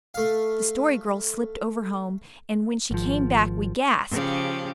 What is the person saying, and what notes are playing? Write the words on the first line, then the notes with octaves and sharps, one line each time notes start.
The Story Girl slipped over home, and when she came back we gasped.
A3 F5
G#1 F3
C#3 F3 G4